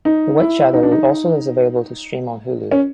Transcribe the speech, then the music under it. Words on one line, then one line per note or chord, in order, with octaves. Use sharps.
The White Shadow also is available to stream on Hulu.
D#4
E4
D#4
D4
D#4
C#4